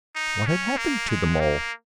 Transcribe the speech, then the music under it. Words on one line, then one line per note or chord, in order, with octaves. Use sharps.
What had happened to them all?
D#4
C#4
A#3
G#3
A#3